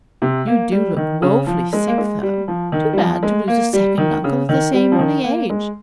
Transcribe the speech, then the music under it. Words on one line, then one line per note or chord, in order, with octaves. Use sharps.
You do look wofully sick though; too bad to lose a second uncle at the same early age.
C3
A#3
G3
D#3
C#3
F3
G#3
A#3
G#3
G3
F3
D#3
G3
F3
G#3
A#3
G3
D#3
C#3
D#3
G3
F3
D#3
A#3
G#3